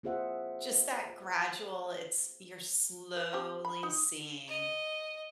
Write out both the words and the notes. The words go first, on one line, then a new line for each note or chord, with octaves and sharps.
Just that gradual it's you're slowly seeing
A#3 F4 G#4 C5 E5 F#5
B4
F3 C4 G4
B5
D#4
D#5